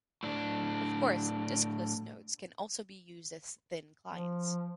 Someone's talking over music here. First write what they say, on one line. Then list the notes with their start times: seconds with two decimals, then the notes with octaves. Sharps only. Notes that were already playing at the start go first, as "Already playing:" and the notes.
Of course, diskless nodes can also be used as thin clients.
0.23 A2 D4
4.09 F3